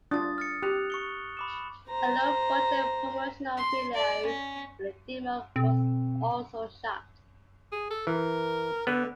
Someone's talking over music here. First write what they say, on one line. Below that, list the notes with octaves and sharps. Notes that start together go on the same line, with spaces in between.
A low-budget promotional video for the demo was also shot.
D4 F4 D#6 A6
F6 A6 C#7
G4 D#6 F#6 F7
C#6 C#7 G7
B5 D6 E7
C5 A#5
C6
D5
C#4
B2 C4
G#4
A4
E3 A#4
D3 B3